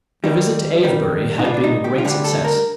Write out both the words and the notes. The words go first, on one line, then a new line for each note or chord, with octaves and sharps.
The visit to Avebury had been a great success.
D#2 D#3 G3 D#4
D#2 D#3 G3
D#4
D2 D3 G3 F4
D4
D#4
G4
F4
D2 D3 G3 G4
A4
A#4